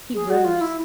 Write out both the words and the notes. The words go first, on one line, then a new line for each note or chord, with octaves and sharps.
He rose.
G#4
F#4
F4
E4